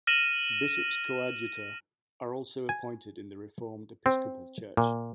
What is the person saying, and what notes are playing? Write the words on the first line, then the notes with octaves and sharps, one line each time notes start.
Bishops coadjutor are also appointed in the Reformed Episcopal Church.
F6 A#6 D#7 E7 F#7
G#5
C4
A#2